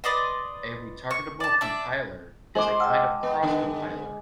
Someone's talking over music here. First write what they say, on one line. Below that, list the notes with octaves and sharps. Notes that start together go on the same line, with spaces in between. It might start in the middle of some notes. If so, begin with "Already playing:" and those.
A retargetable compiler is a kind of cross compiler.
B4 D5 D#5 C6
C#6
D5 A5
D4 D5 E5
G#3 G#4 C5 D6 F#7
D#5 F#5 G5 A5 E6 F6
B3 B4
D3 B3